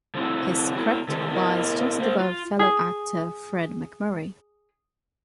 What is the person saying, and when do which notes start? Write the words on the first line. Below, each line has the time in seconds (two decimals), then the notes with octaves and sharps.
His crypt lies just above fellow actor Fred MacMurray.
0.14 F3 G3 C4 E4 F#4
0.75 B3 E4 F#4
1.08 D#3 E3 G#3 C4 D#4 G4
1.31 B3 E4 A#4 D#5
1.98 A#3 B4 C5
2.20 F4
2.59 G#4 D#6